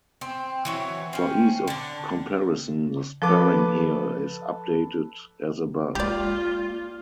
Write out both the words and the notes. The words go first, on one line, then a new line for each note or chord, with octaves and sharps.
For ease of comparison the spelling here is updated as above.
C4
E3 F#3 C#5
C4 C#4
D3 D4
F3 A4 B4 D6
G#3 A#3 F4 G4 D5